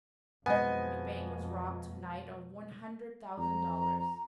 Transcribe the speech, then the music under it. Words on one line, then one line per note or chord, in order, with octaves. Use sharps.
Your bank was robbed to-night of one hundred thousand dollars.
F2 B2 G#3 B3 C4 D#5 G#5
F2 A#5